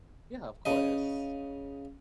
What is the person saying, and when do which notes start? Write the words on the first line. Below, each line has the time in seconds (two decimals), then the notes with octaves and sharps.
Yeah, of course.
0.65 C#3 D#5